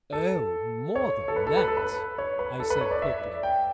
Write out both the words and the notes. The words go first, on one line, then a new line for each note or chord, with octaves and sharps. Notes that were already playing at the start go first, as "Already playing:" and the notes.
"Oh, more than that," I said quickly.
A4
C#5
A4
B4
A4
B4
A4
B4
C#5
B4
A4
B4
C#5
D5
E5
D5
G5